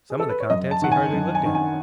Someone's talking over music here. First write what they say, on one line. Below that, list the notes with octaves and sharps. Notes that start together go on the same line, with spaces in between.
Some of the contents he hardly looked at.
G#4
A4
B4
C#5
F#2 D#5
A5
D#3 F#5
G#5
F#2
G#5
D#3
G#5